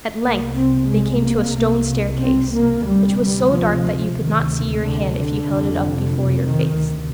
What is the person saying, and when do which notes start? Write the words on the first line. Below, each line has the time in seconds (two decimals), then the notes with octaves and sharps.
At length they came to a stone staircase, which was so dark that you could not see your hand if you held it up before your face.
0.21 C2 C3 A#3
0.54 C4
0.87 G#3
1.20 A#3
1.53 C2 C3
2.19 C4
2.52 A#3
2.84 D2 C3 G3
3.18 G3
3.51 F3
4.16 D2 C3 D#3
4.83 D3
5.15 D3
5.48 F1 F2 C3
6.47 D#3
6.80 D2 C3